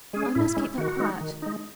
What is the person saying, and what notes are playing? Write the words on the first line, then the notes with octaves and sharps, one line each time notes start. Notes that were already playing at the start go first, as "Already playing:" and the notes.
I must keep that quiet.
G#3 C#4 G#4
A2 E4
G#3 C#4
D#3 F#4
G#3 D#4
D#3
G#3 D#4